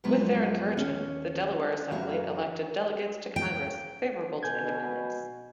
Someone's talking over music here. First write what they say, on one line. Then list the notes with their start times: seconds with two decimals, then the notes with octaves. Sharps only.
With their encouragement, the Delaware Assembly elected delegates to Congress favorable to independence.
0.04 F#2 F3 F#3 G#3 B3 B4
0.77 D#2 C#4
1.91 F#2 E3 F#4 A#4 F5
3.36 G5
4.43 B2 G#5 G6 G#6